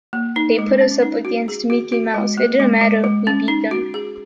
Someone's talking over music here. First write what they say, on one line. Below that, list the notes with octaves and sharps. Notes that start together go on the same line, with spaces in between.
They put us up against Mickey Mouse, it didn't matter, we beat them.
A#3
D#4
G#3
C#4
D#4
F#4
G#4
F#4
F#4
G#3
A#3
G#3
G#3
G#3
C#4
D#4
F#4
G#4